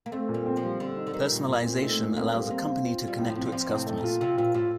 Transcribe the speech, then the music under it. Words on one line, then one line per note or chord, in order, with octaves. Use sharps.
Personalization allows a company to connect to its customers.
A#3
A3 C4
A#2
G3
C4
F3
G3
D3 C4
D#4
D3
D#3 G3
A#2
A#2
C4
A3 D#4
A#2
A#3 C4
G3 A#3
A#3 C4
C4
F4
F4
G3
A2
F3
C4
G3
F3 C4
A2
C3
A3
A#2
F4
C3 F4
A#2 F4
A2 F4